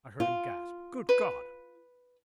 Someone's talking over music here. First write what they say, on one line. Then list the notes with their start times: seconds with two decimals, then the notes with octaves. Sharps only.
I heard him gasp, "Good God!"
0.20 F4
1.09 B4